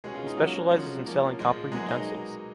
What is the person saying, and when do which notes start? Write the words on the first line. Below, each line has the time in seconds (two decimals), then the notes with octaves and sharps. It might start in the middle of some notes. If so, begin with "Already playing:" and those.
He specializes in selling copper utensils.
0.04 B2 G#3 C#4 G#4
0.15 F4
0.27 D#4
0.37 F3 F#3 A#3 C#4 F#4
0.71 F3 G#3 C#4
1.05 F3 A#3 C#4
1.39 A#2 F3 G#3
1.71 B2 F#3 G#3 A#3 G#4
1.88 D#4 D#5